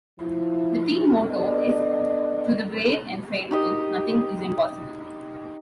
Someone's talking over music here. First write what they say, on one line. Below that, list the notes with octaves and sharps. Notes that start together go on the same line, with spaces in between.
The team motto is To the brave and faithful, nothing is impossible.
F3 E4
B3 D4 A4 D5 D#5
D#4 G4 D#5